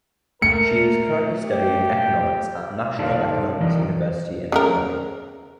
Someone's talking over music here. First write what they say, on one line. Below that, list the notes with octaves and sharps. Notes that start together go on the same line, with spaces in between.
She is currently studying economics at National Economics University in Hanoi.
A3 A#4 C#7
G4
D#4 A4 C5 D5 F5 A5
E3 A#4 D5 D#5
C#3 A3 A#4